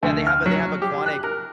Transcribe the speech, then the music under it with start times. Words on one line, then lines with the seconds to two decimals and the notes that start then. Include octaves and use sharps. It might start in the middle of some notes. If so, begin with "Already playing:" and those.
Yeah, they have they have a Quantic
0.03 D2
0.27 F6
0.46 F#3
0.82 G4
1.06 F#6
1.24 A#4